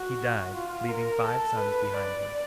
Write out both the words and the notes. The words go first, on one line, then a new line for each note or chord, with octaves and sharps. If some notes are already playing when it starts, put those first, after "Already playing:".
He died, leaving five sons behind him.
Already playing: F#4
F4
A#4
A4
B4
D5